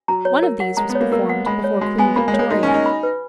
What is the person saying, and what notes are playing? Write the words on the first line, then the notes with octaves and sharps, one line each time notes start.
One of these was performed before Queen Victoria.
F#3 A#5
C#5
A#4
F#5
G#3 A#5
B3
C#5
A#3
A#3 A#4
F#5
G#3 B5
C#5
G#3 F#4
B3 G#5
A#3 B5
G#3
C#5
G#3
D#4 F#4
C#4
G#5
D#4
B5
B4